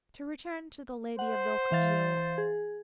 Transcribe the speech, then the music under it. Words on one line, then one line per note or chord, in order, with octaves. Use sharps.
To return to the Lady of Rokjio.
C5 F#5
E3 F5 A6
G#4